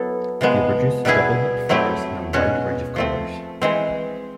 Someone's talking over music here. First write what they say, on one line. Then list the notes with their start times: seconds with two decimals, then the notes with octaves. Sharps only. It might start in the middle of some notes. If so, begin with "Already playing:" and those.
They produce double-lipped flowers in a wide range of colours.
Already playing: F#3 B3 E4 A4
0.41 C3 F3 G#3 B3
1.05 B2 G3 B3 E4 G#4
1.69 F#3 A3 C4 E4 G4
2.33 B2 G#3 C#4 F#4
2.96 F3 A3 C4
3.62 E3 G#3 C4